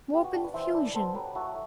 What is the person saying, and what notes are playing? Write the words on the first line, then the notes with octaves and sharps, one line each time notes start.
More confusion.
B3 G4
F#4
D4 G4
B4 D5
E3 C5 E5
D4 B4 D5
B3 A4 C5
F#3 G4 B4
E4 F#4 A4